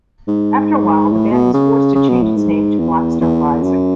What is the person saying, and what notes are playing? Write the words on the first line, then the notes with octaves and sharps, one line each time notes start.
After a while the band was forced to change its name to Blackstar Rising.
G#2
A2
B2
C#3
C#3
B2
A2
G#2
E2
E2
F#2